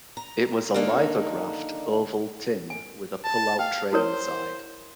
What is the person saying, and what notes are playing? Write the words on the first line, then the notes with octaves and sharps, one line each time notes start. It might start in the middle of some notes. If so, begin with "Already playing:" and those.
It was a lithographed oval tin, with a pull-out tray inside.
A#5
D3 D#3 A#3 D4 D#4
G#5
A5
F5 G5
E4 A#4 C5 C#5